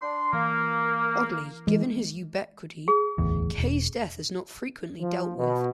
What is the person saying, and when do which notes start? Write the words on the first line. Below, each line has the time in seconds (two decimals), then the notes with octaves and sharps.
Oddly, given his ubiquity, Kay's death is not frequently dealt with.
0.02 D4 C6
0.33 E3 A#3
1.67 E3 G#3
2.88 G#4
3.18 D1 A1 E2
3.58 E1
5.00 F3
5.38 B2